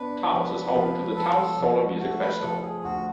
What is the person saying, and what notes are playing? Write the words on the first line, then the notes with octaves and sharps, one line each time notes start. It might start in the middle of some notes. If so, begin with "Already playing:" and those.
Taos is home to the Taos Solar Music Festival.
Already playing: B3 D4 B4
F3
F3
F3 A4
F3
A3 F#4
B4
F3 A4
G#4
D2 F#4